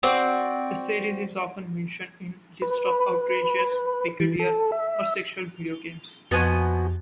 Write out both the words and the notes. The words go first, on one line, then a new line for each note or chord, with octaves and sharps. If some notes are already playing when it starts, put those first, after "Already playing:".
The series is often mentioned in lists of outrageous, peculiar or sexual video games.
C4 F#4 D5
B4
E3
A4
E5
F2 B2 F3 B3 F#4 C5 G#5